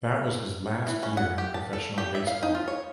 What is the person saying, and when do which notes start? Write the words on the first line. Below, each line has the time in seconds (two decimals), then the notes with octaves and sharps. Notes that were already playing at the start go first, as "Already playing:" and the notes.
That was his last year in professional baseball.
0.87 E3
1.03 C#4
1.17 F#5
1.38 G4
1.54 A5
1.73 A4
1.98 G4
2.15 E5
2.27 F5
2.43 D#4
2.55 F4
2.68 C#5